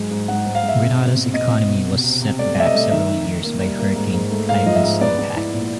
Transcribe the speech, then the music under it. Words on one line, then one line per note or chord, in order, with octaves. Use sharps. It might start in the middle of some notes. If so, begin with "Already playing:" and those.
Grenada's economy was set back several years by Hurricane Ivan's impact.
Already playing: G#2 F#3 G#3
G#2
G#2 F#5
G#2
F5
G#2
E5
C4
C4
B2
B2 D#5
B2
B2
C3
C3
C3
A3 D5
A3 E5
D#5
A3
D#3 E5
D#3
D#3
A#3
G3
A#3
G#2
G#2
A3
G#2 F5
F3 D#5
E5
G#2
B3 D5
B3
E4
A#2